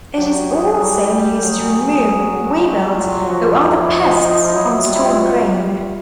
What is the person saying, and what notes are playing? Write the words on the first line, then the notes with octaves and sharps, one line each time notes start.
It is also used to remove weevils or other pests from stored grain.
F#3 G4
G#4
G3 F#4
G4
F#3 G#4
G#4
G4
F4
F3 F#4
E4
E4
D#4
D#4
D#4
F#3 E4
G3 F4
E4
F4
F#3 F#4
G3 G4